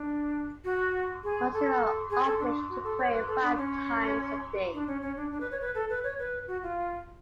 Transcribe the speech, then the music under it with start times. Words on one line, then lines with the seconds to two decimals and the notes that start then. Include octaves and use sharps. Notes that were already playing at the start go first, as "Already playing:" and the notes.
Muslims are obliged to pray five times a day.
Already playing: D4
0.64 F#4
1.24 G#4
1.53 A4
2.10 G#4
2.25 A4
2.39 D4
2.69 F#4
2.84 A4
2.99 C#5
3.13 B4
3.27 A4
3.42 D4
3.57 C#4
4.74 D4
4.87 C#4
5.02 C#4
5.17 D4
5.31 D4
5.41 B4
5.51 C#5
5.61 B4
5.75 A4
5.89 B4
6.04 C#5
6.19 B4
6.47 F#4
6.63 F4